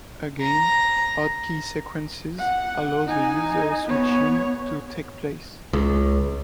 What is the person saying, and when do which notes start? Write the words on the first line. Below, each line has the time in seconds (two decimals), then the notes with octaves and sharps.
Again, hot key sequences allow the user switching to take place.
0.41 A#5
2.39 F#5
3.06 D#4 G#5
3.85 B3 C#5
5.73 C#2